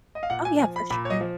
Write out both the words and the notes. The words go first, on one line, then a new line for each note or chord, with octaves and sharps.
Oh, yeah, for sure.
D#5
F5
A#2 F#5
G#5
F3 G#5
B5
A#2 B5
C#5
D#5
F3